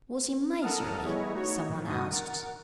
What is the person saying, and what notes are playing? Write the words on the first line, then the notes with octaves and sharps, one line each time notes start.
"Was he miserly?" some one asked.
A4 A#4 F#5 A5 D#6 F6
G3 B3 E4 G#4 C#5 D#5
A3 D#4 F#4 C#5
A2 D#3 F3
G2 D#4 F#4 D#6
A#4 F#5 A6